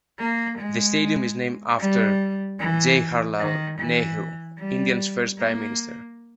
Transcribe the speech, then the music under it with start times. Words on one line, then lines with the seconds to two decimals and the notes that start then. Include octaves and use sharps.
The stadium is named after Jawaharlal Nehru, India's first Prime Minister.
0.19 A#3
0.59 G#3
1.79 G3
2.59 E3
3.39 D#3
3.79 E3
4.59 G3
5.39 A#3